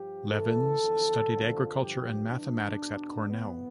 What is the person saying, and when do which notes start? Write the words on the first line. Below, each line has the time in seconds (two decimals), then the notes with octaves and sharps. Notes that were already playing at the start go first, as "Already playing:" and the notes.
Levins studied agriculture and mathematics at Cornell.
Already playing: G2 F3 G4
0.30 A2 E3 A4
0.80 E2 D3 F3
1.31 F2 D3 F3
1.80 G2 D3 F3 G4
2.30 G2 E3 D4
2.80 E2 B2
3.29 A2 E3 B3